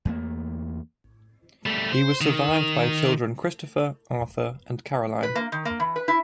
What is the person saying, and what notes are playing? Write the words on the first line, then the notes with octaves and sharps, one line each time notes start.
He was survived by children Christopher, Arthur, and Caroline.
E2 A3 A#3
G3 A3
C5
D#3
B4
A#3
D#3
A#3
E3
B4
E4